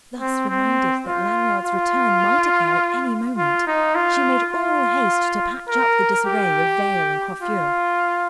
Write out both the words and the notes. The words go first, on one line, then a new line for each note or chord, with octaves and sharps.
Thus reminded that Lanyard's return might occur at any moment, she made all haste to patch up the disarray of veil and coiffure.
C4
C4
F4
F4
F4
D#4
F4
F4
A#4
G4
F4